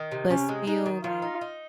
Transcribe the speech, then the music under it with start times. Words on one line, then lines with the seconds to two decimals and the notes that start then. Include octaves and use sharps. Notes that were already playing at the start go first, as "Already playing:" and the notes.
but still, like,
Already playing: D#3
0.11 C3
0.30 C3 C#4
0.48 G#3
0.67 G#3 D#4
0.86 D#3
1.03 D#3 F4
1.22 D#4
1.41 D#4